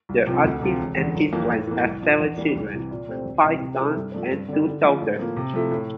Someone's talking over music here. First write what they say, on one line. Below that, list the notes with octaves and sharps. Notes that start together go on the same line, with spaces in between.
The artist and his wife had seven children; five sons and two daughters.
C2
C3 F3 C4 F4
D2
C3 F3 C4 F4
E1
E2 D3
G1
F2 E3 A#3
A2
E3 A#3
C2
A#2 F3
E2
E3 G3 A#3 D4
C2
C3 E3
A#2
A3 C4 G4 C5
D2
C3 E3 G3 C4
C3
G3 C4 E4 A4
G2
F3 A3 D4
G2
D3 G3
D3
F3 A3
A2
F3 A#3
C3
F3 A3 E4
A2